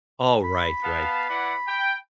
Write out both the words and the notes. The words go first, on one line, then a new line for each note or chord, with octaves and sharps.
Alright, right.
B5
B3 F5 A5
E3 D5 F#5
G5